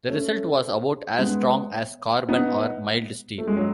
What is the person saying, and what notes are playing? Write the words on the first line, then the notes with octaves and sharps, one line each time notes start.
The result was about as strong as carbon or mild steel.
A3 C#4
G#3 B3
B3 D#4
A3
G#3
F#3